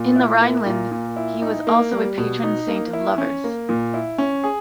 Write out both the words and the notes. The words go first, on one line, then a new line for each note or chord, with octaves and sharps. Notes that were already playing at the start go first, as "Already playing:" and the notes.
In the Rhineland, he was also a patron saint of lovers.
Already playing: A#2
E4
A#3
A#2
A#2
E4
D#4
A#3
G3
B2
D#4
A#3
E4
C#4
A#3
A#2
E4
C#4
G#4